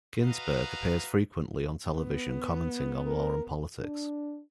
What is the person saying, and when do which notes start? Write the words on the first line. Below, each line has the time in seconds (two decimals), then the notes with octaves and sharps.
Ginsberg appears frequently on television commenting on law and politics.
0.22 F#4 B4 D#5 F5 A#5
1.93 B3
3.06 A#4
3.81 D4